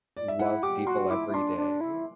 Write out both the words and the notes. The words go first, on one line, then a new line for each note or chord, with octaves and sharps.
love people every day,
D5
E5
E4 F#5
G4 D6
F#4 C6
E4 D6
E4
D4 C6
D4
E4